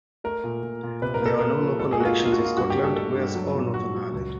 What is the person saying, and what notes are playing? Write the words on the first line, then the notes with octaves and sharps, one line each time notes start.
There were no local elections in Scotland, Wales or Northern Ireland.
A3 A#4
A#2
A#2
A#2
C3 B4
A#4
A#3 A4
A#3 A#4
F3
G#2 A4
G#4
A#3 F#4
F4
A#3
F4
F#4
A#3
F4
G2 F#4
G4
G2
A4
A3 A4
G2
F#3
A#2
F#3 F#4
F#3
C#2